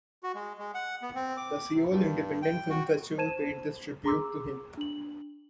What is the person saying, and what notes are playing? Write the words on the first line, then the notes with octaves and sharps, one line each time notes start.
The Seoul Independent Film Festival paid this tribute to him.
F#4
G#3
G#3
F#5
B3
C4
D6
C3
G2
G5
F#4
C5 A5 G#6 D#7 E7
G#4 A#5 C6 D6 E6
D4 F#7